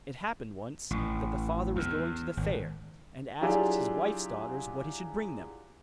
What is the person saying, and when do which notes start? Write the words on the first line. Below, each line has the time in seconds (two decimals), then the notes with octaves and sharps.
It happened once that the father was going to the fair, and asked his wife's daughters what he should bring them.
0.91 A1
1.76 E2
2.37 G#1
3.41 F#3 D4 E4 F4 G4 G#4